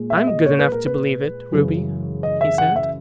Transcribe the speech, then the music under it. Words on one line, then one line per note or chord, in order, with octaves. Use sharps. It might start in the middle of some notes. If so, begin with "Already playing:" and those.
"I'm good enough to believe it, Ruby," he said.
Already playing: A#2 G#3
E5
D#5
C#5
B4
A#4
B4
F#2 C#3 E3 G#3
D#5
E5
F#5
E5